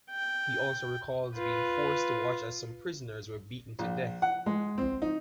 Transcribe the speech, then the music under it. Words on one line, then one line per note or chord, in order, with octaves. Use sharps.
He also recalls being forced to watch as some prisoners were beaten to death.
G5
F4 B4
A#1
F#5
G#3
C4
D#4